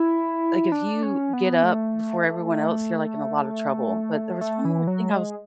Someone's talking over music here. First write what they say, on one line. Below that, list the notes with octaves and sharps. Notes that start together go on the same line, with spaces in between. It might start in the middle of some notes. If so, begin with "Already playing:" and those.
like, if you get up before everyone else, you're, like, in a lotta trouble. But there was one more thing I was
Already playing: E4
D4
C#4
B3
A3
A3
E3
F#3
G#3